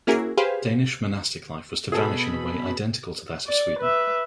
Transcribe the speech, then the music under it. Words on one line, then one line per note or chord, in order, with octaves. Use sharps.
Danish monastic life was to vanish in a way identical to that of Sweden.
A#3 C#4 E4 F#4 G#4 A#4
G4 G#4 B4 C5 F5
B2 G#4 A4 B5
D5
B4 E5